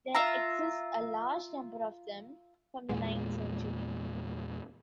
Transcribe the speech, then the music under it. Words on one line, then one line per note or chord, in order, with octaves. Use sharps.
There exists a large number of them, from the ninth century.
F4 E5 A#5
E2 A#2 G#3